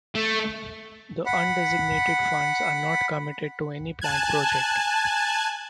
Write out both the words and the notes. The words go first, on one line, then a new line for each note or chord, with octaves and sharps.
The undesignated funds are not committed to any planned project.
A3
F#5 B5
G#5 A5 F#6 G#6